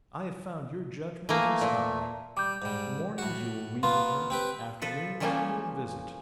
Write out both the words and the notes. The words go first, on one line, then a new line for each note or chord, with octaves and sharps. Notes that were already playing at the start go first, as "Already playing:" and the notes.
I have found your judgment ace-high. Mornings you will read with her; afternoons you will visit.
E3 A3 A#3
A#2
G3 D6 G6
G#2 G3
A2 F#4
A#3 B3 F4 C6
C4 G4 B4
F3 A4 B4
E3 F3 G3 A3 A#3 C#4